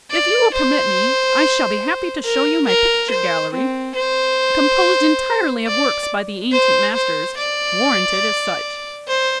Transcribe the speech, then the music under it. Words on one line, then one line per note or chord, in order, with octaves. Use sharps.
If you will permit me, I shall be happy to show you my picture gallery, composed entirely of works by the ancient masters--warranted as such.
D5
C5
A#4
A#4
C5
C4
C5
D5
C5
C5
D5
C5